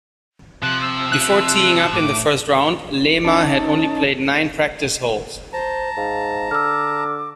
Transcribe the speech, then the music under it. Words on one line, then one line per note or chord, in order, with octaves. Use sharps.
Before teeing up in the first round, Lema had only played nine practice holes.
C3 F3 F#6
E6
C3 F#6
A2 D6
C#4 D#4 A5
C5 A5 A#5
G#2 F5
D3 D6 E6 F6